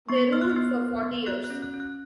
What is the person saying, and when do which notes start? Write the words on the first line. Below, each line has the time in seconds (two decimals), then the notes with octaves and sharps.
They ruled for forty years.
0.09 B3 C#6
0.32 B3 F6
0.41 F#6
0.50 F6
0.56 B3
0.79 B3
1.03 B3
1.26 F#4 F#6
1.44 F#6
1.50 C#4
1.62 F#6
1.73 C#4
1.80 F#6